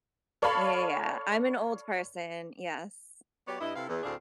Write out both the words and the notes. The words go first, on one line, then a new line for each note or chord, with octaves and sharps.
Yeah, yeah, yeah. I'm an old person. Yes.
A4 C#5 D5 F5 A5 B5
F#3 B3 G4 C#5 D5
G2 E4 D#5
C3 E4 A4 B4 F5
E2
D2 A2 C4 D4 G#4 F5